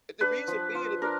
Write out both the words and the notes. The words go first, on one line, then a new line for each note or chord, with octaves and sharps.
and the reason being it b
D4 B4
F3
F4
D4 A#4